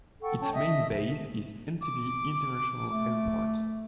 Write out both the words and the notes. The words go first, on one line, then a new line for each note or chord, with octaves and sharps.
Its main base is Entebbe International Airport.
A4 F#5 G5 C#6
C#4 G5 A5
D#5 E5 D#6
D6
A3